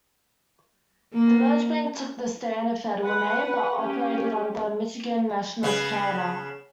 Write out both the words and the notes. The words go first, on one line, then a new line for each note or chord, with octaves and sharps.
The merged bank took the Standard Federal name, but operated under Michigan National's charter.
A#3
B4 F#5
C#4 G4
C#3 B3